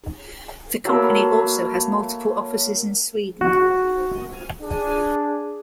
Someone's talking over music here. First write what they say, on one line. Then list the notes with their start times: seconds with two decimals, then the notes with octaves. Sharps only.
The company also has multiple offices in Sweden.
0.85 F#3 A3 A#3 B5
3.41 F#4
4.62 D4 G#4